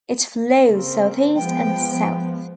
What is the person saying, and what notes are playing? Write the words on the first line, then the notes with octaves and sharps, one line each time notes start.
It flows southeast and south.
C#3 A#3 C4
F3 G#3 B3 G5